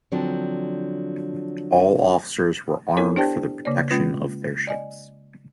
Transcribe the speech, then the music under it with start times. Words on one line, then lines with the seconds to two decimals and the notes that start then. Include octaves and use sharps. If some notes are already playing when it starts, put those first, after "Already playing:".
All officers were armed for the protection of their ships.
0.12 D3 F3 F#3 C4 D4
2.97 B3 E4 A4 A#4 C#5 G#5
3.16 D4 G4 C5 D5 G5 A5
3.65 C#3 A#3 C#5 D5
3.90 G#3 C#4 F4 B4
4.67 D5 D#5 G#5